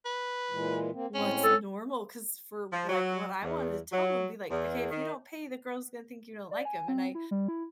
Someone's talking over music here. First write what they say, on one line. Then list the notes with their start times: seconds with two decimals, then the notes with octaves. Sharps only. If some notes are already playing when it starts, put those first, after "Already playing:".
what's normal 'cause for, like what I wanted to tell 'em be, like, "Okay, if you don't pay the girls gonna think you don't like 'em." And I
0.05 B4
0.51 A#2 E3 G#3
0.93 A#3 C4
1.14 A2 G#3 C4 C#4
1.44 A4
2.72 F3
2.89 F#3
3.43 E2
3.92 F#3
4.49 E2
4.91 D#3
6.51 D5
6.65 G#5
6.88 C4
7.15 E4
7.31 G3
7.48 E4